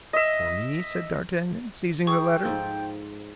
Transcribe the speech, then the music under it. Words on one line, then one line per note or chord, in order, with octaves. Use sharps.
"For me?" said d'Artagnan, seizing the letter.
D#5 E5
G#4 G5 C#6
G#2 F3 A4